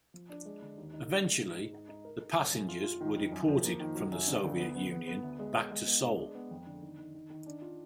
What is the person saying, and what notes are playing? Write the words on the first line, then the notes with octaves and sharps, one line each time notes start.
Eventually, the passengers were deported from the Soviet Union back to Seoul.
F3
D4
G#3
D3
D#2
D#4
D4
G#3
G#2
G#2
D#4
D#4
A#4
D#4
F#2
F#2
F4
F4
D#3
F2
F#2
F3
A#3
D#3
F#3
F#2
D3
D2
B3
B3
B3
B3
D2
G#3
B3
G#3
B3
D4
G#3
B3
F2
D3
D#3
D#3
D#3
D#3
D4
F4